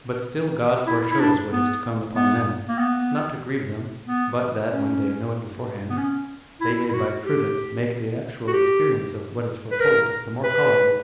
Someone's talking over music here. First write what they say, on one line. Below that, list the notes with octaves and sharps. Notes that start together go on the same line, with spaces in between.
But still God foreshows what is to come upon men, not to grieve them, but that, when they know it beforehand, they may by prudence make the actual experience of what is foretold the more tolerable.
E4
E4
D4
B3
B3
A#3
B3
B3
C#4
B3
C#4
E4
E4
F#4
G4
F#4
G4
B4
A#4
B4